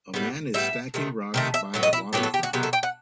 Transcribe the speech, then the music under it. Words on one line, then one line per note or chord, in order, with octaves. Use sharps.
A man is stacking rocks by the waterfront.
A2 G3 B3
A2 G3 B3 E5
C3 D#3 A3
C3 D#3 A3
E5
A2 F#3 B3
D#5
E4
A2 F#3 B3 G4
A4
G4
F#4
C3 D#3 F#3 B3 G4
A4
G5
F#5